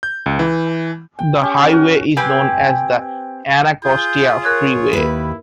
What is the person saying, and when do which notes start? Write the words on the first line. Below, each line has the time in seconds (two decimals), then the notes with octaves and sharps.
The highway is known as the Anacostia Freeway.
0.03 G6
0.26 C#2
0.39 E3
1.19 G5
1.41 C#4 G4
1.69 F#4 A#4
2.17 C4 G4 B4 G#5
3.84 F4 G#4 G6
4.44 A#4 C#5 F#6 G#6
4.93 D#2 E4 B4